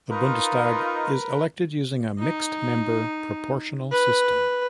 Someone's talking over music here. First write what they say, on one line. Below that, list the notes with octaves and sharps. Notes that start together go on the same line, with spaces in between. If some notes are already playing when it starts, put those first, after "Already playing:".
The Bundestag is elected using a mixed member proportional system.
D#4 F4 A#4 B4
D#4
B4